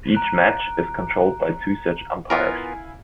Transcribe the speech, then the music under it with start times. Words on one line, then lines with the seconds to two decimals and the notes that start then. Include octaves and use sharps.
Each match is controlled by two such umpires.
0.12 A#5 F#6 D7
2.30 B3 E4 F4 A#4 F5 G#5